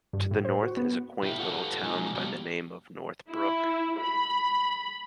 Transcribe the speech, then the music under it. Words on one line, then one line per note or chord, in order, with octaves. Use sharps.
To the north is a quaint little town by the name of Northbrook.
G2
A2
C5
F#4
B3
B2 E4 E5 G5
F4 G4 A4 B4 F#5 A5
B2 F3 G#3 D#4 G#5
F#3 G3 A#3 B3 D4 G4
E4
B5